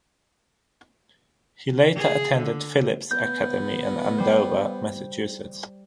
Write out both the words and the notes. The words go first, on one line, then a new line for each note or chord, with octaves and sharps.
He later attended Phillips Academy in Andover, Massachusetts.
G#4
D3
B3 G6
G3 C5